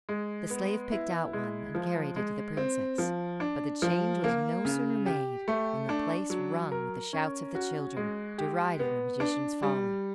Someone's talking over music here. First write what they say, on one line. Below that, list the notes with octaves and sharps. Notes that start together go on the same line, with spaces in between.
The slave picked out one and carried it to the princess; but the change was no sooner made than the place rung with the shouts of the children, deriding the magician's folly.
G#3
B3
E4
G#3
F3
G#3
C4
F3
D4
F3
A#3
C#3
G4
A3
D4
F#3
A#4
C#4
F#4
G#3
G4
B3
D4
G3